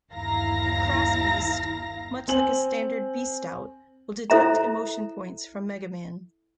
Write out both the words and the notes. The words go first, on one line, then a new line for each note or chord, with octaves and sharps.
Cross Beast, much like a standard Beast Out, will deduct emotion points from MegaMan.
G1 D#2 E4 F5 A#5 A#6
C4 G#5 F#7
E4 A4 C5 E5 A#5